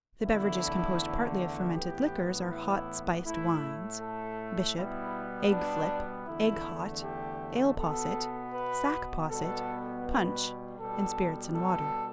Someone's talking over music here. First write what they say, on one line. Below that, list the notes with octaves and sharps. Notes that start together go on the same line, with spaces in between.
The beverages composed partly of fermented liquors, are hot spiced wines, bishop, egg-flip, egg-hot, ale posset, sack posset, punch, and spirits-and-water.
E2 D3 A3 E4
A2 E3 B3 G4
E4
A2 A3 E4
A4
B2 G3 B3 E4
D4
E2 D3 A3 E4
G4
B2 B3 A4
B4
B2 G3 B3 A4
B4
B2 G3 B3 A4
A4